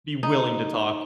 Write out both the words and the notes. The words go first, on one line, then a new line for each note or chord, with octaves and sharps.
be willing to talk.
D#4